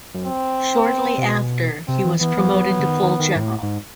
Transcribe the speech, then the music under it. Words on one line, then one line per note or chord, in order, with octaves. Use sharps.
Shortly after he was promoted to full general.
F#2
C4
C3
B2
C3 C4
E3
E3 B3
F3
F#3
F#3
D3
D#3
D#3
D#3
G#2
A2
G#2